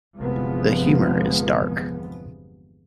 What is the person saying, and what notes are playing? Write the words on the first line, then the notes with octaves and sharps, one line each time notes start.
The humor is dark.
G1 E2 C3 F3 G#3 B3